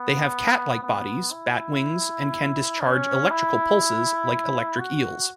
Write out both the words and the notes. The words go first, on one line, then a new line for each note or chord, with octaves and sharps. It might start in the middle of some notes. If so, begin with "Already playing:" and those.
They have cat-like bodies, bat wings, and can discharge electrical pulses like electric eels.
Already playing: B3
B3
E4
C#4
E4
F#4